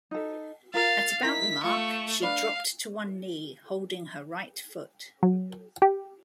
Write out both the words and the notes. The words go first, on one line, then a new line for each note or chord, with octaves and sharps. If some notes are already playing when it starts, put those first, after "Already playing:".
At about the mark, she dropped to one knee, holding her right foot.
D#4 A4
F4 A#4 F5 A6
D#4 E4 A#4 B6
A3 F4 C#6
D4 B4 D5 F5
F#3
G4